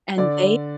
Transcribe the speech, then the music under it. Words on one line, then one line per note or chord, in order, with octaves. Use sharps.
And they,
D3 D5